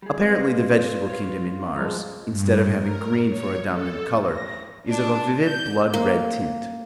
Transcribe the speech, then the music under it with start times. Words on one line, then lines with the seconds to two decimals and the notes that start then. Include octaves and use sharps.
Apparently the vegetable kingdom in Mars, instead of having green for a dominant colour, is of a vivid blood-red tint.
0.02 G3 G#4
0.23 C4 F4 B4
1.10 C#5 F5
1.74 F3 G3 G#3 G#4 D#5 A#5
2.29 G2
2.80 A#4
3.28 C#5
3.71 A4
4.22 A#6
4.88 D4
5.44 G6
5.94 A#3